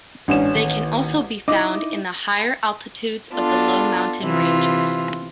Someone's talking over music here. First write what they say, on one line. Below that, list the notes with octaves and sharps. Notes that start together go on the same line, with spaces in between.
They can also be found in the higher altitudes of the low mountain ranges.
A1 G#2 C#4 D4 E7
D#3 A#3
D#4 E4 D#5 D6
B3 D4 F4 A4
C3 E3 F4